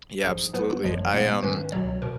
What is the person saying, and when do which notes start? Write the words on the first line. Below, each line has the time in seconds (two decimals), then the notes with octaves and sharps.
Yeah, absolutely. I, um,
0.24 A#1 G#2 F3 G#4
0.53 G#2 F#3 B3 B4
0.83 G#1 F#2 F3 G#3 C#5
1.13 A#2 G#3 B3 F5
1.43 G#2 D#3 G#3 C#4 B4
1.72 C#2 B2 F#3 C#5
2.02 B2 A#4